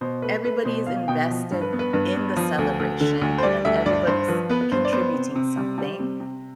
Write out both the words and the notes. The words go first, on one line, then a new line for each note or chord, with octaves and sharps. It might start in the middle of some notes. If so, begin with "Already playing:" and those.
everybody is invested in the celebration and everybody's contributing something,
B2 C5
A3 B4
A3 B4
B2 C5
B2 F5
B2 G5
F3
G2
B4
B3
B4
G2 B4
B3
F3
D2
D2
D3
D2
C5
G3 D5
D2 E5
G2 D5
G2 C5
F3 B4
B3 B4
B4
G2 C5
D5
B3 C5
C3
C3
G3
G3
C3
C3